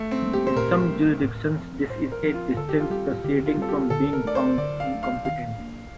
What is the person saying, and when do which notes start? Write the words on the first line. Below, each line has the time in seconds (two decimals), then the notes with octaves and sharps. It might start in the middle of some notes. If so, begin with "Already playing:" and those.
In some jurisdictions, this is a distinct proceeding from being "found incompetent".
Already playing: A3
0.11 C4
0.23 G3 A#3 D4
0.33 G4
0.47 C5
0.56 A#2 A#4
0.90 G3 A#3 D4
1.23 A2
1.56 F3 C4
1.90 A2 C5
2.12 A#4
2.23 F3 C4
2.34 F4
2.57 D3 A4
2.69 G4
2.80 F4
2.90 G3 C4 G4
3.24 D3 G4
3.46 F4
3.57 G3 C4 A4
3.69 G4
3.90 D3 A4
4.13 A#4
4.25 A3 D4 D5
4.35 C5
4.58 D3 D5
4.80 F5
4.91 A3 D4
5.03 F5
5.24 D#3 F5
5.58 A#3 D4